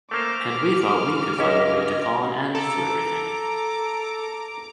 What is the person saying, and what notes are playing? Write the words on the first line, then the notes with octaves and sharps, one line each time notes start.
And we thought we could find a way to call an end to everything.
A3 A#3 C5 D6 F6
C#2 C#4 D#5 E5
A4 A#5 D6